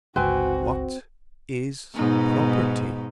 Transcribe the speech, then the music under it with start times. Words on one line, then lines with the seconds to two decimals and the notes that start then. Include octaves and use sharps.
What is property?
0.16 G1 C#2 C4 F#4 B4 G#5
1.94 G#2 B2 D#4